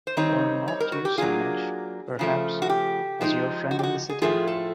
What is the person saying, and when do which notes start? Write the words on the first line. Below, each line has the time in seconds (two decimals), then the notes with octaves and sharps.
Or not you so much, perhaps, as your friend in the city?
0.07 C5
0.17 D#3 G3 C4 D#4 C#5
0.68 C#5
0.80 A#4
0.92 F#4
1.05 G4
1.18 F#3 A#3 D4 F4 G#4
2.19 C#3 F3 A3
2.62 F#4
2.69 G4
3.21 F3 G#3 B3 D#4
3.71 F#4
3.79 G4
3.83 F#4
4.09 G#4
4.22 A2 F3 A3 C4 F4 G#4
4.47 A4